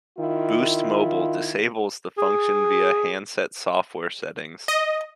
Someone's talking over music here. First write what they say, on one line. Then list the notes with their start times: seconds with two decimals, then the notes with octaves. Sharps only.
Boost Mobile disables the function via handset software settings.
0.18 D#3 E4 F4
2.18 G#4
4.68 D#5